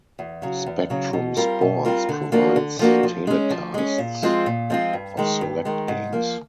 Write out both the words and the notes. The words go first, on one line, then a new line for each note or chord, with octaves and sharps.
Spectrum Sports provides telecasts of select games.
E2
C#3 F#3
E2
C#3 F#3
B2
G3 C4 F4 A#4
B2
G3 C4 F4 A#4
D3
F3 A#3 D4 F#4
D3
F3 A#3 D4 F#4
F3
G#3 C#4
F3
G#3 C#4
A#2
F3 G#3 C4 F4
A#2
F3 G#3 C4 F4
G2
D#3 G#3
G2
D#3 G#3
G#2
F3 A#3